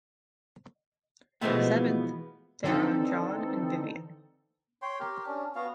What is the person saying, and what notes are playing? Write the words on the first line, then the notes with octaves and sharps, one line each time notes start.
Seventh, there are John and Vivian.
B2 E3 F3 G#3 A3 B3
D3 E3 C4 D#4 A4
C#5 G5 C6
G4 A#4
C#4 D4
B3 F#4 F5